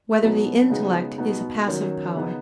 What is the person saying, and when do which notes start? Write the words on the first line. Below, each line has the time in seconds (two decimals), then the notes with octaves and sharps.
Whether the Intellect Is a Passive Power?
0.22 B2 F#3 B3 D#4
0.70 C#3 G#3 B3 D#4
1.18 B2 B3 D#4
1.67 D#3 F#3 C#4
2.14 C#3 B3 D#4